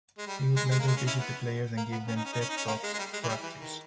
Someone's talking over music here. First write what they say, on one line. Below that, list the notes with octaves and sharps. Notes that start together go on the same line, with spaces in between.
He would later visit the players and give them "pep" talks at practice.
G#3
G3
G#3
G#3
A#3
G#3
C#4
C#4 E4
B3
A#3
B3
C#4
D#4
C#4
D#4
C#4
D#4
C#4
A#3
G#3
G#3
G3
G#3
E3
G3
E3
D#3